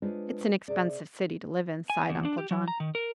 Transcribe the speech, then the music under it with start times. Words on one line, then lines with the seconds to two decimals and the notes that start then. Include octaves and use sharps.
"It's an expensive city to live in," sighed Uncle John.
0.02 G#3 D4 F4 B4 C5 D#5
0.68 C3 G#4 D5
1.90 G#5
2.09 E2
2.25 D4
2.38 G4
2.51 F#3
2.68 A#5
2.80 D#3
2.95 A#4